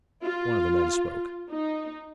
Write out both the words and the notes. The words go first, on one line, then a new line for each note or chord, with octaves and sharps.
One of the men spoke.
F4
D#4